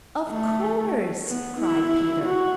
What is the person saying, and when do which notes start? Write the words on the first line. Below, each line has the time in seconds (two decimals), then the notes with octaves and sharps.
"Of course," cried Peter.
0.30 A3
1.27 B3
1.60 E4
2.25 F#4